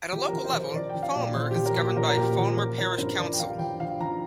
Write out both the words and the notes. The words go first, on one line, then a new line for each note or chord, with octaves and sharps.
At a local level Falmer is governed by Falmer Parish Council.
F3 G4
F3 A#4
C5
F3
C5
F3 D5
F3 G5
F5
A#2 D5
F3 C5
F3 G4
A#4
A#2 G4
F3 A#4
A#4
A#2 G4
F3
F3 A#4
F3 A#4
C5
G2 A#4
F3 D5
G5
F3 F5
F3 G5
F3 F5
F3 A#5